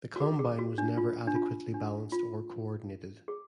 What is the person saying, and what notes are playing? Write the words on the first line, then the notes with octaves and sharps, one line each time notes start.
The combine was never adequately balanced or co-ordinated.
F#4
G#4
G#4
F#4
D4
F4
D4
F4
D4
F4
G#4